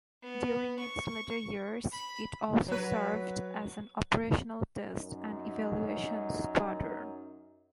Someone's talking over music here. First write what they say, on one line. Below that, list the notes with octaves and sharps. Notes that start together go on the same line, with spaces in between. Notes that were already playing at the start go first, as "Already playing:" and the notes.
During its later years it also served as an operational test and evaluation squadron.
B3
C#6
B5
F#3 B4
F#2 D#4